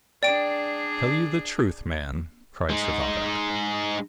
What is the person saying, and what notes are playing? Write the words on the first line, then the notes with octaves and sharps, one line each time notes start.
"Tell you the truth, man!" cried Servadac.
D4 G#4 D5 G5 D7
G#3 D#4